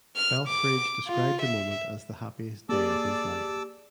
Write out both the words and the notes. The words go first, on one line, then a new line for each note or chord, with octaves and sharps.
Belfrage described the moment as the happiest day of his life.
F6
D6
F4
E5
A#3 G4 G#4 D5 A5 D6 E6